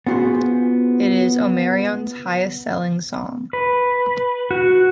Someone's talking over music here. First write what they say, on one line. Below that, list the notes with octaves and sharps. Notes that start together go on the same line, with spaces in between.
It is Omarion's highest selling song.
B3 C#4 F4 F#4 G#4 C5
B4
F#4